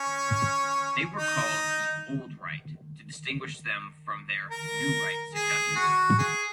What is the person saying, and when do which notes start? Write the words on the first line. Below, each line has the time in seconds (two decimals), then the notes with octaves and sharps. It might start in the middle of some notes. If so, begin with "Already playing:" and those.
They were called the "Old Right" to distinguish them from their New Right successors.
Already playing: C#4
1.17 D#4
4.51 A#4
5.34 G#4
5.76 F#4
6.18 G#4